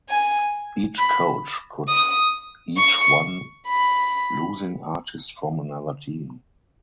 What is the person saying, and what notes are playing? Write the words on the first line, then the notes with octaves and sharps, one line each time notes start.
Each coach could each one losing artist from another team.
G#5
B5
D#6
C#6
B5